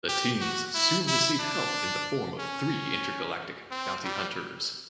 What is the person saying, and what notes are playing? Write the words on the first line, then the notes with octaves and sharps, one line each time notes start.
The teens soon receive help in the form of three intergalactic bounty hunters.
G4
F#4
E4
E4
D4
C#4
C4
G3